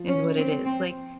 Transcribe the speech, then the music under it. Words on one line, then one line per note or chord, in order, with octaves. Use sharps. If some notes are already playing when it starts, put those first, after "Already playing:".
is what it is, like,
Already playing: F3
C#4
C4
C4